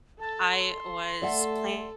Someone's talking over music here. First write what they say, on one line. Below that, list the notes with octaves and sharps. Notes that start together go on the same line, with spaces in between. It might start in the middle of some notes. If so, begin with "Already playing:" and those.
I was planning
A4 A5
C6
A3 A4 D5 E5 F#5